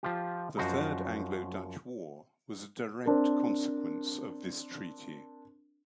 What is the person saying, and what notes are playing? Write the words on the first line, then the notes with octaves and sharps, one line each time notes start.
The Third Anglo-Dutch War was a direct consequence of this treaty.
F3 F4 G4
F#2 F3 F#4 C5 D#5 A#5
C4 D4 A#4